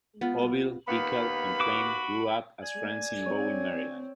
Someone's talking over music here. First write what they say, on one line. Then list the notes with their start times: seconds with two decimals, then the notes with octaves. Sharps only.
Auville, Bickel, and Flaim grew up as friends in Bowie, Maryland.
0.21 B3 F4
0.87 D#2 B3 F5 B5
1.60 F#4 D6
2.63 D5 G#5
3.26 C4 C#5